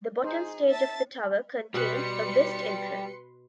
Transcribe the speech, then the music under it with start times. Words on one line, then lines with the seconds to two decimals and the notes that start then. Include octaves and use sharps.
The bottom stage of the tower contains a west entrance.
0.24 D#4 G#4 C5
0.71 E5 A5 A6
1.74 B2 G3 B4 F#5 C6 C#7